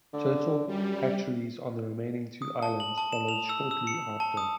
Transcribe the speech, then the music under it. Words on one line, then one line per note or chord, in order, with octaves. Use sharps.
Turtle hatcheries on the remaining two islands followed shortly after.
D3
F#2 G3
D#6
A5
F#7
A5
E7
F7
E6
E6
C#7
A5
D#6